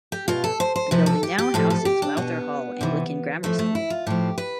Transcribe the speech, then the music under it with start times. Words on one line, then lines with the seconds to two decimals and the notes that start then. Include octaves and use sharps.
The building now houses Lowther Hall Anglican Grammar School.
0.12 G4
0.28 B2 F4
0.44 A4
0.60 C5
0.76 C5
0.91 C3 F3 B4
1.06 A4
1.23 G4
1.38 G4
1.54 A2 F3 A4
1.70 A4
1.85 G4
2.02 D4
2.17 B2 B3
2.81 C3 E3
3.43 A2 F3 A3
3.59 A3
3.75 E4
3.90 F4
4.07 A2 F3 G4
4.38 B4